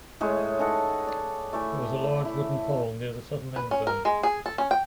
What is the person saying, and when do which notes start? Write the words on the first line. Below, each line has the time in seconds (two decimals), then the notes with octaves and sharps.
It was a large wooden pole near the southern end zone.
0.21 A2 G#3 C#5 B5
0.59 D#4 G#4 A4 F#5
1.07 D5
1.53 A3 E4 D5 G#5
2.25 E4
3.56 B4
3.71 C#4
3.87 A#4
4.05 G#3
4.23 G#4
4.46 A4
4.58 C#4
4.71 G5